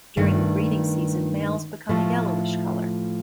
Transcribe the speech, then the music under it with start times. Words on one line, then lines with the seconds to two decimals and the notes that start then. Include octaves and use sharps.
During the breeding season males become a yellowish colour.
0.17 G2 D#3 A3
1.89 A2 F3 A3